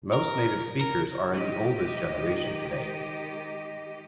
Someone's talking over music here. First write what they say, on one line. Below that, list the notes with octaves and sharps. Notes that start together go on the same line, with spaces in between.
Most native speakers are in the oldest generation today.
A#4
A#4
D#3 G#3 G4 D#5